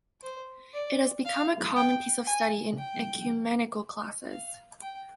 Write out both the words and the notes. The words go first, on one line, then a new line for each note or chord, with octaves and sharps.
It has become a common piece of study in ecumenical classes.
C5
D5
F5
G5
G#5
G5
F5
G5